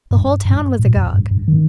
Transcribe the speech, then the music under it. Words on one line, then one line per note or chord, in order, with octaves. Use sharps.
The whole town was agog.
G2
G2
A2
F2
G2
G2
D#3